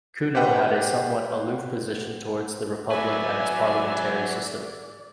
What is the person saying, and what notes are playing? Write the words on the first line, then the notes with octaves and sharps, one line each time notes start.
Cuno had a somewhat aloof position towards the republic and its parliamentary system.
G4 B4 C5 F#5 G5
F#3 B4 D5 E5 G#5